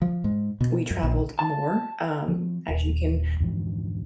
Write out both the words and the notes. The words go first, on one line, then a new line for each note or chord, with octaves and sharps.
we traveled more, um, as you can
F3
G#2
B2
F#2
A#1
A5
F3 C4
D#1
F2 G#2 E3 F3